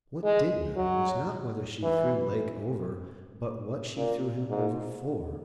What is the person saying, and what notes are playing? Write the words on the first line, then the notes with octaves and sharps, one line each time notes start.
What did matter was not whether she threw Lake over but what she threw him over for.
G#3
F#3
E3
A#2
G#2